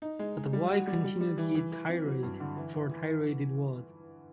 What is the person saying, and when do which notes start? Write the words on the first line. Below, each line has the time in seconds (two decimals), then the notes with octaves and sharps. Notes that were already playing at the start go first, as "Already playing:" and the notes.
But why continue the tirade, for tirade it was.
0.02 D#4
0.19 G#3
0.37 G#3
0.53 G3
0.70 F#4
0.87 G3
1.04 G3
1.21 G3
1.38 E3
1.55 E3
1.72 E3
1.89 C4
2.05 F#3
2.23 G2
2.40 D3
2.57 E3
2.74 E3
2.90 E3